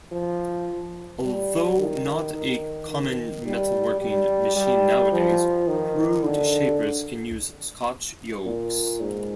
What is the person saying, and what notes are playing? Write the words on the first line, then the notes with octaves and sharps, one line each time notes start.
Although not a common metalworking machine nowadays, crude shapers can use Scotch yokes.
F3
G3
D#3
D#3
D#3
G3
G3
G3
F3
D#3
D3
A#2
G#2